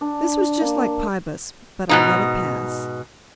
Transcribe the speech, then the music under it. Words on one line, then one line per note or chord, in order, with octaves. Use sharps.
This was just like Pybus--but I let it pass.
D4
A#3
G#2 B2 D#4